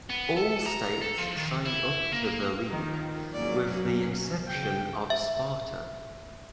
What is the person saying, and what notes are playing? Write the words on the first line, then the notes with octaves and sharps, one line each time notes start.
All states signed up to the league, with the exception of Sparta.
B3
A4
A#5
A4
F3
D#3
E4
A#3
D#3 F3
G#2 F#3 A#3 C#4 D5
F#2 B2
C#3 G5
E5